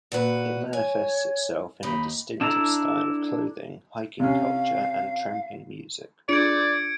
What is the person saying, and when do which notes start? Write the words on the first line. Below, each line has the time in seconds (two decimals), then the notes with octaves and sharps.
It manifests itself in a distinctive style of clothing, hiking culture and tramping music.
0.12 A#2 F#4 B4
0.73 C#5 G#5
1.83 D#2 D#4 B5
2.41 D4 E4 A4 A#5
4.20 C3 C#4 F5
6.29 D4 F4 G#4 D5 G#6 C#7 D7